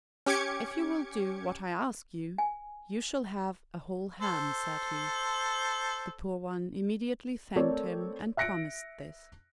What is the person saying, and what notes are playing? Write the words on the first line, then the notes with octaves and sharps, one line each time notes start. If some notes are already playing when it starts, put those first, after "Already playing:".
"If you will do what I ask you, you shall have a whole ham," said he. The poor one immediately thanked him, and promised this.
C#4 G4 D6 G#6 C#7
G#5
A4 C5
A3 C4 A4 A#4 C#5 D5
E5 F#6 A#6 C#7 D7